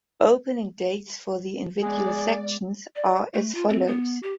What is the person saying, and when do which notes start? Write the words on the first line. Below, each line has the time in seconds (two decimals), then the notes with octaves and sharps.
Opening dates for the individual sections are as follows.
1.82 G#3 B3 G#4 D5
2.96 D5
3.34 A3
3.55 F4
3.69 C4
3.87 B3
4.23 G4